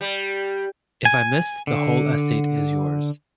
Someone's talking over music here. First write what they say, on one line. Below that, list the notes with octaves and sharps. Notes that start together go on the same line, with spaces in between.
If I miss, the whole estate is yours.
G3
G#5
D3